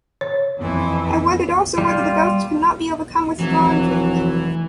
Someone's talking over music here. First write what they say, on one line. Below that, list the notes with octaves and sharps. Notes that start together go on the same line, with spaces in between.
I wondered also whether the ghosts could not be overcome with strong drink.
C#5
F2 E3
G3 F4
F1 E3 F#3